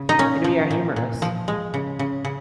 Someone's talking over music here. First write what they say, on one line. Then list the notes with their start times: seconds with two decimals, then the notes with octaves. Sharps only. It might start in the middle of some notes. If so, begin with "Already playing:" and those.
And we are humorous.
Already playing: C#3
0.09 D#4
0.19 A#2 C#4
0.44 F3
0.71 A#2
0.96 A#2
1.22 F3
1.48 G#3
1.74 C#3
1.99 C#3
2.25 C#3